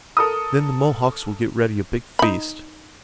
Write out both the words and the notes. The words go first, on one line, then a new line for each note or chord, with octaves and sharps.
Then the Mohawks will get ready a big feast.
A4 A#4 D#6
D#4 B5